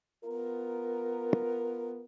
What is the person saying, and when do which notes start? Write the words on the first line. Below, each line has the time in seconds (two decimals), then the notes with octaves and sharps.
The custom is in general the same but there are some significant variations.
0.24 B3 F4 A#4